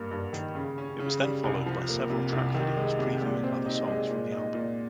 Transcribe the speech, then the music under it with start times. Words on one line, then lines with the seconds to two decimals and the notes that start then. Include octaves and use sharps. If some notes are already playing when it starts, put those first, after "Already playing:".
It was then followed by several track videos previewing other songs from the album.
Already playing: G2 A#3
0.11 G2
0.33 D#3
0.55 C#3
0.78 C#4
1.00 C#3
1.22 G3
1.44 C2
1.66 F3
1.89 A#3
2.10 C3
2.33 C2
2.55 D#3
2.77 G#3
2.99 C3
3.21 A#2
3.43 C4
3.66 D#4
3.88 G#3
4.11 A#2
4.32 D#4
4.54 A#2